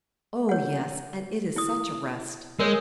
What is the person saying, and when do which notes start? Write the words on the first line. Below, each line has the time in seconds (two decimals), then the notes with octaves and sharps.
'Oh yes! and it is such a rest.
0.49 C#5 F#5
1.56 E4 D#6
2.60 G#3 A#4 C#5